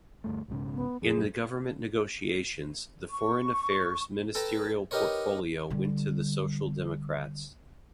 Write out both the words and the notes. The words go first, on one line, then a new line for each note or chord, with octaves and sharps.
In the government negotiations the Foreign Affairs ministerial portfolio went to the Social Democrats.
D2 G2 A3
B1 G#2 C#3
B3
F2 G#4
F1 F#2 A#2
C#6
A4 B4 G5 A5 A#5
D#4 G4 A#4 B4 C#5
D3 G3